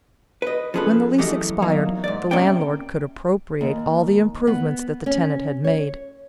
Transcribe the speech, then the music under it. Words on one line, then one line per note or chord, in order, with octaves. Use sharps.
When the lease expired, the landlord could appropriate all the improvements that the tenant had made.
B4 D#5
F3 C#4 G#4 A4 B4
F#2 A2 E3 A3 G4 D#5
E2 F#3 A#3 D#4
G#2 D5
C3 A#3 C#4 D5 G5
D#2
B3
C#4
C#5